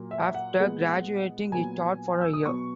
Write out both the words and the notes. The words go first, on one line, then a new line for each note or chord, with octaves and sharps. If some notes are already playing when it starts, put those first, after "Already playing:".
After graduating, he taught for a year.
Already playing: A#2 F#3 A#3
E5
F#5
A#2 G#3 B3
A#2 F#3 B3 G#5
E6
D#6
B2 F#3 B3 C#6